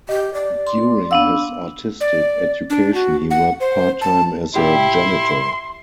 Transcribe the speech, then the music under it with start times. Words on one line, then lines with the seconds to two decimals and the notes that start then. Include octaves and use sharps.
During his artistic education, he worked part-time as a janitor.
0.09 G4 D#5
0.34 D5
0.67 C6
1.11 B3 D4 F5 F#5 E6
2.01 D5
2.70 D4
2.94 F#4
3.31 F#5
3.60 C5
4.01 A5
4.55 A#2 E4 G4 G5 C6